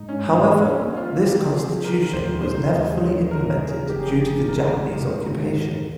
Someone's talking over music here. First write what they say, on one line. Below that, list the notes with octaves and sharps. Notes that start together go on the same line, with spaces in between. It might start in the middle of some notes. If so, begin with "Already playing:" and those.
However, this constitution was never fully implemented due to the Japanese occupation.
Already playing: G#2 D#4
C#4
A#3 C4
C#4
A#3
F4
C3 G4
G#4
F3
A#4
D#2 C5
C5
D#2
D#5
G3 C#5
A#4
C#3
G#4
F1 G4
G#4
G4
G#4
D#2
A#4
G#2
G#2
D#2